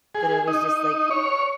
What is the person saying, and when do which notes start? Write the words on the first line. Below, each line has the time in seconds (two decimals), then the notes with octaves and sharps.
but it was just like
0.15 G#4
0.48 D#4
1.11 C#5